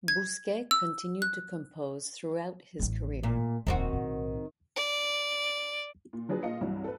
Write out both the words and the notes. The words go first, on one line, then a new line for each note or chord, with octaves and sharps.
Bousquet continued to compose throughout his career.
G#6
E6
F#6
A1 A2
A#2
D#1 F2 D#3 C4 F#4
B1 A2
D5
A#2
F3 F#3 D4 G#4 B4
A#2 F4 D#5 F5 C#7
C2 G2 E3 F#3 G3
A4 B4